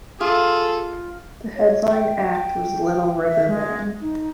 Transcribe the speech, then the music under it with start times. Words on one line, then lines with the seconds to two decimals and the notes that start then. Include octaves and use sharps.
The headline act was Little River Band.
0.21 F4 G#4 A4
1.56 C#5
1.91 G5
3.27 E5
3.48 G#3
4.01 D#4